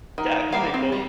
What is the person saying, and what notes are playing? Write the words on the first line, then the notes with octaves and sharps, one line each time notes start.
Yeah, 'cause they both
D#3
G3 A#3 F5
C4
G3